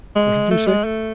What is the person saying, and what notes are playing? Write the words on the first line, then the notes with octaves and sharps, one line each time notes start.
"What did you say?"
G#3
A3
G#3
A3